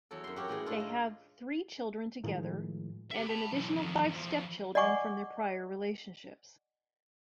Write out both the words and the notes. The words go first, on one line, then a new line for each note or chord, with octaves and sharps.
They have three children together, and an additional five stepchildren from their prior relationships.
E2 F#3 A4
F#2 C6
F#4 G4 A#4 C#5
A2 E3 F#4 G#4
D4 F4 A4
G#3
A2 D#3 F3 G#3
G4 E5
A5 B5
B1 E3
F2 D#3
E2 F3
D5 D#5 F#5 G#5 C#6 D6